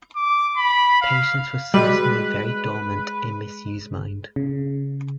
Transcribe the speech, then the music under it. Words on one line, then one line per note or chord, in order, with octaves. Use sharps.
Patience was certainly very dormant in Miss U.’s mind.
D6
B5
F5
G3 G#3 F#4 G#4 B4 D#5
C#3